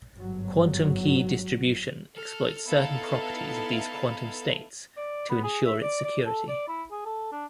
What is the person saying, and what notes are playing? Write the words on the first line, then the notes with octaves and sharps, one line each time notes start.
Quantum key distribution exploits certain properties of these quantum states to ensure its security.
G1 G#2 F#3
A4 F6
B3 D#4 E4 A4 F5 A5
D5
B3
G#4
E5
D5
D5
A4
D5
E4
G#4
A4
D4